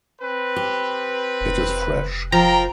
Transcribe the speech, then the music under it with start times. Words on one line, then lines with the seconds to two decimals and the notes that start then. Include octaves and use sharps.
It is fresh.
0.21 C4 B4
0.56 G4
1.41 F1
2.32 F3 A#4 F5 G5 A#5